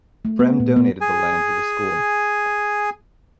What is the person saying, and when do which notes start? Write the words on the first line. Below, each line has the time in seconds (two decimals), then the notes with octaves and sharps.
Fremd donated the land for the school.
0.25 A3
0.39 B3
0.60 A#2
0.76 B3
1.01 G#4 G#5